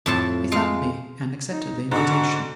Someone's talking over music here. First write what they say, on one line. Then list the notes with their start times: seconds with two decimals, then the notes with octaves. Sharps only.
He thanked me, and accepted the invitation.
0.06 F2 A2 A5
0.52 G#3 F5
1.50 D#4
1.91 G#2 D3 F#4